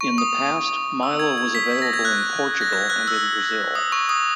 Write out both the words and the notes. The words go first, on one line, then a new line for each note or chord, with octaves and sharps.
In the past Milo was available in Portugal and in Brazil.
C#6
D#6
E6
G#6
G#6
B6
A#6
G#6
F#6
A#6
G#6
F#6
E6
D#6
C#6
D#6